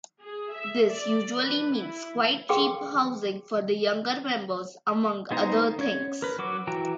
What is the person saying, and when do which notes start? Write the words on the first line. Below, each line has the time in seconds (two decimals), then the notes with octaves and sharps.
This usually means quite cheap housing for the younger members among other things.
0.22 G#4
0.53 E5
0.90 D5
1.42 B4
1.75 E4
2.49 G#4 F#5 G5 C6 D6
5.31 G#3 B3 D#4 C5 A#5
5.79 C#4 C#5
6.22 A#4 B4
6.38 F#3 F#4 D6
6.67 E3 F#4 G5 A#5